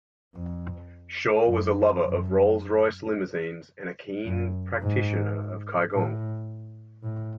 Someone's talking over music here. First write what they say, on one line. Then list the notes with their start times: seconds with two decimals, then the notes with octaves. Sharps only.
Shaw was a lover of Rolls-Royce limousines and a keen practitioner of qigong.
0.35 F2
1.46 F#2
2.02 F#2
4.25 F#2
4.81 G#2
5.91 A2
7.03 A2